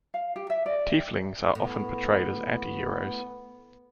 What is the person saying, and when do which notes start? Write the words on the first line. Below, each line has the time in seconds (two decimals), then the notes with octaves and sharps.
Tieflings are often portrayed as antiheroes.
0.14 F5
0.36 G4
0.50 E5
0.66 D5
0.94 G5
1.55 A2 B3